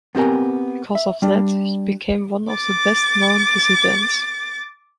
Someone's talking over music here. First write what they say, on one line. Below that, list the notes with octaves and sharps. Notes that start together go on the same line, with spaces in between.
Because of that he became one of the best known dissidents.
B3 C4 G4 A#4 G#5
E5
G3 D4
D6 A6